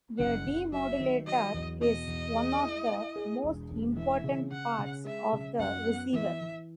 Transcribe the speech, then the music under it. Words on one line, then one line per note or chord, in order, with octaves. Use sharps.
A demodulator is one of the most important parts of the receiver.
F#1 F#5
F#1
F#3 E5
D#3
F#3 D#5
E2
B2 D#5
E2
G#4
E4
E4
G#4
E1
E1
E3 E5
C#3
C#3 F#5
C#3
G#3 E5
C#3
F#2 F#5
B3
E3 E5
E3